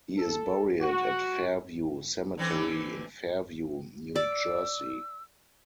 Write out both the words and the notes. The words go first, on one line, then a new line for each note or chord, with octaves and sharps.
He is buried at Fairview Cemetery in Fairview, New Jersey.
A4
F#4
D3 E3 C4
D5 E6